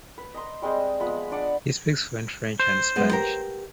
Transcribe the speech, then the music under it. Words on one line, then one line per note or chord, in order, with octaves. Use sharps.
He speaks fluent French and Spanish.
B4
D#5 A#5 C6
G3 G#3 C4 C5
F3 G#3 B3 B5
D4 D5 F#5
C5
G#3 B3
G4 A#4